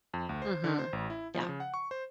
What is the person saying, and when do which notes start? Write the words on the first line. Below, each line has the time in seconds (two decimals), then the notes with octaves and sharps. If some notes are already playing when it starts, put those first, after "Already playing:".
Mhm, yep.
0.14 F2
0.29 D2
0.42 C5
0.64 D3
0.79 C5
0.93 A1
1.10 E4
1.34 F3
1.49 C#3
1.60 F#5
1.74 C#6
1.91 C5